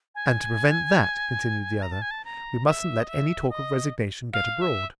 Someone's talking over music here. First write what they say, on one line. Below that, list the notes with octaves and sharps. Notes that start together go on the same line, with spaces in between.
"And to prevent that," continued the other, "we mustn't let any talk of resignation get abroad."
G#5
A#5
A5
G#5
A5
A#5
E5
D#5
E5
D#5
F5
E5